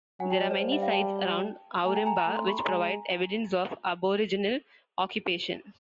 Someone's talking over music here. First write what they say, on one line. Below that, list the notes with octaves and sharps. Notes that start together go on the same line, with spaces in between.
There are many sites around Ourimbah which provide evidence of Aboriginal occupation.
F#3 F#5 G#5
G5 A5
C#5 D#5
C5 D5
G3 C5
E5 F#5
F5 G5
G5 A5
A3 G#5 A#5
G5 A5
G#5 A#5
G#5 A#5
A3
A#5 C6
B5 C#6
A#5 C6
G#3 G#5 A#5